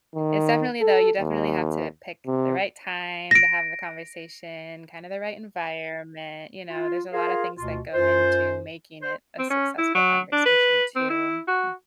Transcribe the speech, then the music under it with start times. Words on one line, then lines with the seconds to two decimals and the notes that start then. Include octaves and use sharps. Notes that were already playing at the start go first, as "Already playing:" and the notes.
It's definitely though you definitely have to pick the right time to have the conversation, kind of the right environment, you know? There's a lotta things that go into making it a successful conversation too, hmm.
0.15 D#3
0.81 A4
1.20 D#2
2.27 C3
3.31 A#6 D7
6.69 F4
7.12 F4 G#4 A#4 F5
7.57 D2 B2 F4
7.93 F#2 F4 C5
9.01 C5
9.39 C4
9.50 C#4
9.78 E4
9.95 F#3
10.32 D4
10.46 B4
10.95 C4
11.10 E4
11.48 F#4